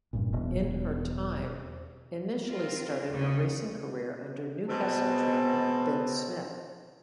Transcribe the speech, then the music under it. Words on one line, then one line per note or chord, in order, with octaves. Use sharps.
In Her Time initially started her racing career under Newcastle trainer Ben Smith.
F1 G2 A#2
E1 B2
C4 F4 A#4
D#2 C#3
B2 G#3 B3 C4 C5 A5